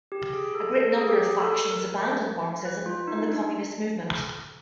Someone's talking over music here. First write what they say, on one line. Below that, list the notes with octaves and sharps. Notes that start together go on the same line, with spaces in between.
A great number of factions abandoned Marxism and the Communist movement.
G4
G#4
A4
A4
G#4
G4
G#4
A4
A#4
B4
F4
D#4
D4